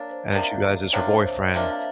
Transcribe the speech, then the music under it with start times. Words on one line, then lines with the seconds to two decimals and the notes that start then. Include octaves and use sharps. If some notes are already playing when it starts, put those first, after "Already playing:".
and she realizes her boyfriend
Already playing: A#3 D4 C#5 D5
0.11 C5
0.31 C3 F3 A#3 D4 D5
0.93 C3 F3 A#3 D4 C#5
1.08 C5
1.23 C5
1.38 D#5
1.54 C3 F3 A#3 D4 E5
1.70 F5